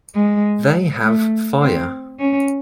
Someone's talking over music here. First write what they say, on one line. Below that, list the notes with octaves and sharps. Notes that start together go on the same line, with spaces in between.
They have fire.
G#3
A3
C4
C#4